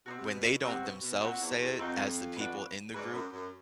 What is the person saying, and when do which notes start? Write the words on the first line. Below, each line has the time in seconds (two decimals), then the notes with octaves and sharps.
when they don't themselves say it as the people in the group,
0.06 B2 D#4 F#4
0.10 C4
0.18 C3
0.31 B2
0.63 C3 C4 D#4
0.68 F#4
0.83 B2
1.02 B2
1.21 A#2 C4 D#4 F#4
1.41 E2
1.60 E2
1.79 F2 C4 D#4 F#4
2.36 D4 F#4 B4
2.94 G#2 D4 F#4 B4
3.13 F#2
3.33 F#2